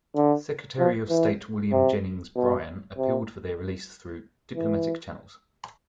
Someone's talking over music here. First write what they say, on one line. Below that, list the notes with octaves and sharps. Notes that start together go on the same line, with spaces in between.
Secretary of State William Jennings Bryan appealed for their release through diplomatic channels.
D3
F3
E3
C3
B2
C3
E3